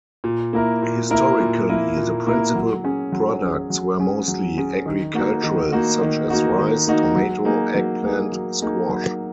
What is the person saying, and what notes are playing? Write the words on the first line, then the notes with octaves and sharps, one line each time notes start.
Historically, the principal products were mostly agricultural such as rice, tomato, eggplant, squash.
A#2
A#3 E4 A#4
A#2
A#3 E4 A#4
A#2
A#3 E4 A#4
A#2
A#3 E4 A#4
F#3
C#4 G#4
F#3
C#4 G#4
F#3
C#4 G#4
F#3
C#4 G#4
D#3
A#3 D#4 F#4
D#3
A#3 D#4 F#4
D#3
A#3 D#4 F#4
D#3
A#3 D#4 F#4
F#3
A#3 D#4 G#4
F#3
A#3 D#4 G#4
F#3
A#3 D#4 G#4
F#3